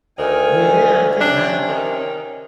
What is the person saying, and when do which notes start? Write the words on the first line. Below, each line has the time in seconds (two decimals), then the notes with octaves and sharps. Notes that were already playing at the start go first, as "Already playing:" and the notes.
Yeah, I can't I
0.18 D2 D#3 G#5
1.20 C3 C#4 D4
1.68 D#3